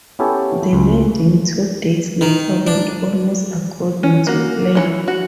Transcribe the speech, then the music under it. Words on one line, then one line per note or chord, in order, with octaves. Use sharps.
The landing two days later went almost according to plan.
B3 C#4 E4 G4 A4 C#5
C#2
D#3
D4
C#4
A#3 F#4
E3 A#3 C#5
F#4